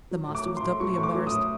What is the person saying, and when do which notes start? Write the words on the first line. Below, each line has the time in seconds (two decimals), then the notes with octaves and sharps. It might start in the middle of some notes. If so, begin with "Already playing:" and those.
The master was doubly embarrassed.
0.11 F#3
0.28 A2
0.35 D6
0.46 F#3
0.57 C6
0.63 A2
0.80 F#3 C#6
0.94 A2 C#6
1.03 D6
1.15 F#3
1.27 D#6
1.32 A2